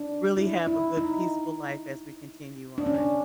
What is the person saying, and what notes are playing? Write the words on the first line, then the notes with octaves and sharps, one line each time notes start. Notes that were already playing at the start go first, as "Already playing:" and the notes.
really have a good peaceful life as we continue on
Already playing: D4
E4
E4
D#4
D4
C#4
D4